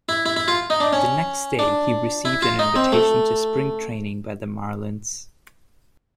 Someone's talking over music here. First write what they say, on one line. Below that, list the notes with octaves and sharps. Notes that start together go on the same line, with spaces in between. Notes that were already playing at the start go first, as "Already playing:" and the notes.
The next day, he received an invitation to spring training by the Marlins.
E4
E4
E4
F4
D#4
D4
C#4
D4
E4
F4
D#4
C4
A3